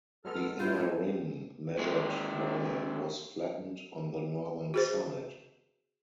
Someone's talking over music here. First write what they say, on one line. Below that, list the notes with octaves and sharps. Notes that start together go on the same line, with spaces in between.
The inner ring measured by and was flattened on the northern side.
F#3 G#3 B3 A4 F6
A2 E4 F4 G6
D#2 G#3
F#4 G#4 C5